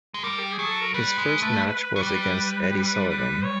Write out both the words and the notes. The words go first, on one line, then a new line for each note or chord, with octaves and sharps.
His first match was against Eddie Sullivan.
G#3
G3 A#4
G4
G#4
F#3
A4
A#4
G3 B4
G#3
A3
F#3
G3
B4
C#5